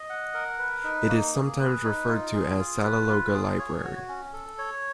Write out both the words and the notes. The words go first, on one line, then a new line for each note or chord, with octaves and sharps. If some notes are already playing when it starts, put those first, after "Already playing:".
It is sometimes referred to as Salelologa Library.
Already playing: D#5
F#5
A#4
B4
D#4
A#3
G#4
B4
D#4
F4
G#4
F4
B4
F4
G#4
C#5
F#4
C#4
A4
C#5